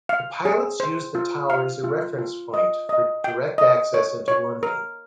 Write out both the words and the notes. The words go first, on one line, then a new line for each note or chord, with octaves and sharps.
The pilots used the tower as a reference point for direct access into London.
F5
G#4
C5
F4
F5
F4
F4
D#5
D#5
G5
D#5
C#5
C#5
A#4